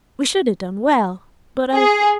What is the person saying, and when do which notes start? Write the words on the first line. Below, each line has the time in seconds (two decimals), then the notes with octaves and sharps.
We should have done well, but alas!
1.75 G#4